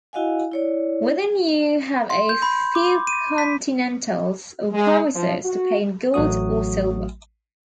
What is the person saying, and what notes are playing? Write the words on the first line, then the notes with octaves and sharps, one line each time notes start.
Within you have a few continentals or promises to pay in gold or silver.
E4 F#4 D#5 F5 F#5 G#5
E4 C#5 D5
C6
G6
B5
D6
D#7
B6
G#3
F3
F#4
A1 F#3 A3 F#4 D#6